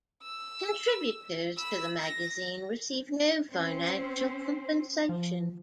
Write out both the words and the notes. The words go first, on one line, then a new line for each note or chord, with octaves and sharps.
Contributors to the magazine receive no financial compensation.
E6
B5 E6
A#6
C4 C#4 C5
F3